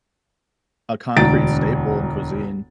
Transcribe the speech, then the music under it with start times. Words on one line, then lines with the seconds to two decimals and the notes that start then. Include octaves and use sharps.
a concrete staple in cuisine.
1.16 E1 D2 A#5 A6 D7